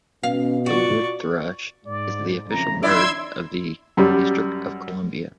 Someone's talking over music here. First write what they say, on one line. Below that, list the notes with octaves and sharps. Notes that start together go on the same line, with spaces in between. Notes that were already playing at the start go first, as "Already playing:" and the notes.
The wood thrush is the official bird of the District of Columbia.
B2 C#4 F5
F4 F#4 D5 C#6
G#2 D5
F2 C#3 E3 A#5
D#2 D4 E4 D5 E5 C6 E6 G#6
F#2 G3